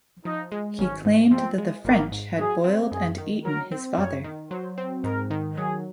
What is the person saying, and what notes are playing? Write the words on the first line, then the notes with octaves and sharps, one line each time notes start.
He claimed that the French had boiled and eaten his father.
F3 D#4
G#3
G#1 C#4
G#2
F3 C4
G#3
G#1 A#3
G#2
F#3 G#4
C4
F#2 G#4
D#3
F#3 A#4
C4
F#2 C#5
D#3
F#3 C5
C4
G#2 A#4
D#3
F#3 G#4